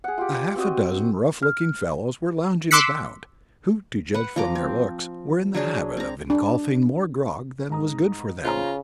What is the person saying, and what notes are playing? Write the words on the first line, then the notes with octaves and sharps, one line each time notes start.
A half a dozen rough-looking fellows were lounging about, who, to judge from their looks, were in the habit of ingulfing more grog than was good for them.
G#4 F#5
F4 G4
C4 F#4 D#5
F6
C6 D6 E6 F#6 B6 C#7
B4 F#5
F3 A#5 D6
C4
F#3 D4 G#4
C4 A#5
D4
G#2 A#5 D#6
C#3 F4 C5 A#5